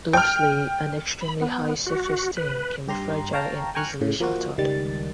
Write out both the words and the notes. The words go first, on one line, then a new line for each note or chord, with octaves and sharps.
Lastly, an extremely high self-esteem can be fragile and easily shattered.
G5 F6
B5
B3
F#4
B4
G2 G4 A#5 C6
C#5 F5 G5 A5 A#5
G5 G#5 A#5 C#6 F6 F#6
A2 C#3
F3 A#3 F4 F#4
C#2 D#3 G3 A6